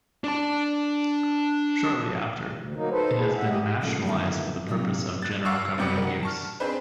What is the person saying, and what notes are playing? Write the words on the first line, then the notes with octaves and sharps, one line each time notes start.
Shortly after, it has been "nationalized" for the purpose of general government use.
D4 A5
D2
F#3 A#3 D#4
D#4 A4 B4 C5
G#4
G3 E5 F#5
F2 G#3 G4 D#5
C#3 F3 A3 A#3
D3 D#3 F#3 B3 E4 F4
C3 F#3 A#3 D#4
F#6 A6
F5 F#5 C#6 D6 E6 F#6
F#1 C3 G3 F#4 C#7
A#4 F#5
A5 C#6 F6
C4 D4 D#4 G#4 B4 C5